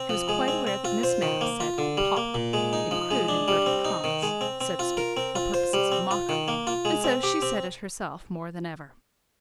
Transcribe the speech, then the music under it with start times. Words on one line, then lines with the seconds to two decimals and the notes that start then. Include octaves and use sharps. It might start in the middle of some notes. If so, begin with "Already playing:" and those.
She was quite aware that Miss Mapp said "pop" in crude inverted commas, so to speak, for purposes of mockery, and so she said it herself more than ever.
Already playing: C4
0.09 F3
0.29 G#3
0.48 C4
0.67 C4
0.85 F4
1.03 C5
1.22 D#3
1.41 A#3
1.60 F4
1.78 D3
1.97 G3
2.17 A#3
2.34 A#2
2.53 G#3
2.73 D#4
2.91 F3
3.11 G#3
3.29 D4
3.48 G3
3.66 C4
3.85 D#4
4.04 D#3
4.23 G#3
4.41 C4
4.61 C4
4.79 F4
4.97 A#4
5.17 C4
5.35 F4
5.54 C5
5.73 G3
5.92 C4
6.11 F4
6.29 D#3
6.48 A#3
6.67 F4
6.85 G#3
7.04 C4
7.23 G4
7.42 C4